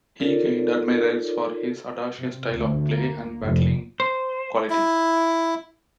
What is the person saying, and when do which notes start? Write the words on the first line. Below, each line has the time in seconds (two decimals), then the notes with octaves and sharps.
He gained admirers for his audacious style of play and battling qualities.
0.20 D#4 F4 A4 A#4 C#5 D5
2.18 C3
2.53 D2
2.89 A#3
3.41 F1
4.00 C5
4.70 E4